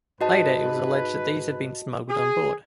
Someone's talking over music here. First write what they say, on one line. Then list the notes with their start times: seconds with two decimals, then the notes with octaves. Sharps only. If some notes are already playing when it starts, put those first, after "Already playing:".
Later it was alleged that these had been smuggled on board.
0.21 G#2 F#4 B4 D#5 A5
2.09 G#4